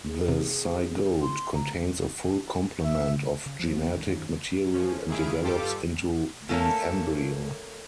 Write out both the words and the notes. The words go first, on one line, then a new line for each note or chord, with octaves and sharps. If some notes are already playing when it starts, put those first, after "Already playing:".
The zygote contains a full complement of genetic material and develops into the embryo.
G#4
C3
C6
A#5
E5
C#3
F3
C#3 B3
A#1 E2 G#2 D#3
F#2 D#3 C4 C#4
F3 C#4
D#2 D#3 E4 G#4 F5 D7
G2 G3 F4 G4 A4 D6
A3 A#3 C#4 A4